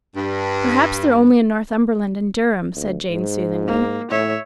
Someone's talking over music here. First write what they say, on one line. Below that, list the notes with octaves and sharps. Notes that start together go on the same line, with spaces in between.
'Perhaps they're only in Northumberland and Durham,' said Jane soothingly.
G2
D2
G#2
A#3
A2 C#5 E5